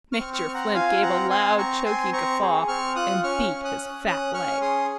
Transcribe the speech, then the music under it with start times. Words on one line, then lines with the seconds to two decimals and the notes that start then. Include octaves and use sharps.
Major Flint gave a loud, choking guffaw and beat his fat leg.
0.13 C#6 F6
0.19 C4
0.33 C#6 F6
0.48 C4
0.54 F#5 A#5
0.74 F4 F5 G#5
1.02 C4 F#5 A#5
1.29 C4 G#5 C6
1.57 C4 A#5 C#6
1.85 C4 G#5 C6
2.13 C4 A#5 C#6
2.41 G#4
2.68 C4 C#6 F6
2.96 F4 D#6 F#6
3.23 C#4 C#6 F6
3.51 C#4
3.64 D#6 F#6
3.78 C#4
4.06 C#4 D#6 F#6
4.34 C#4 C#6 F6
4.61 G#4 C6 D#6